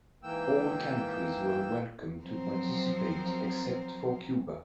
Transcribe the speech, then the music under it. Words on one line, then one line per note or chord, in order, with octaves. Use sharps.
All countries were welcome to participate except for Cuba.
G#2 E3 A#3 G5 E6
F3 F#3 C4 A#4 C5